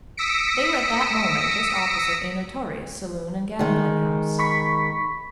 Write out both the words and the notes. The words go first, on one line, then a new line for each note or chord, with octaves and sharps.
They were at that moment just opposite a notorious saloon and gambling house.
D#6 E6 A#6 B6 C#7 D7
D#3 G#3
B5 C#6 B6